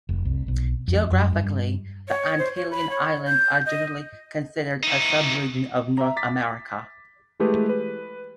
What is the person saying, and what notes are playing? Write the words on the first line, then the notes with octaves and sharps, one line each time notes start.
Geographically, the Antillean islands are generally considered a subregion of North America.
F1
C2
B1
F2
F#2
G2
C#5
C5
C#5
B5
C#5
G6
D#5
E3 D#4
E5 A#5
D6 A6 B6
E3 G#3 A3 G4 G#4 B4
B4